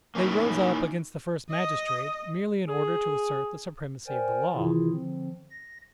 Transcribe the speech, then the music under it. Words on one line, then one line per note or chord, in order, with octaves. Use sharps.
They rose up against the first magistrate merely in order to assert the supremacy of the law.
A#3 C#4 D#4 E4
D#5
G#4
A#4 C5 D5 G5 G#5
C3 D#3 E3 E4 F4 G#4
D3 F3 C4
A#6